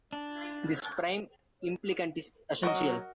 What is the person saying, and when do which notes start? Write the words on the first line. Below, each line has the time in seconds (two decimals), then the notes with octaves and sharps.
This prime implicant is "essential".
0.13 D4
2.63 F#3 F#4 A#4 D#5